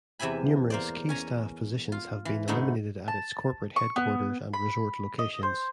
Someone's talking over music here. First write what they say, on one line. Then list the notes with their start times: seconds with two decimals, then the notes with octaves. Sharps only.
Numerous key staff positions have been eliminated at its corporate headquarters and resort locations.
0.19 E2 C3 E5 G#5 B5
0.70 A#3 C5 D5
1.09 C#4 G#5 A#5
1.92 F4
2.25 E3
2.48 G#2 D3 A3 B3 D#4
3.08 A5
3.76 C#6
3.96 B3
4.54 B5
5.19 D#5
5.43 C5